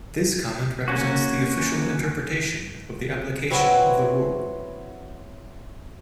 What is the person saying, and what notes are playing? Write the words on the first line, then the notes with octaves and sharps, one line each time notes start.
This comment represents the official interpretation of the application of the rule.
A#3 C#4 F#4
F#3 C4 E4 F#4 B4 C#5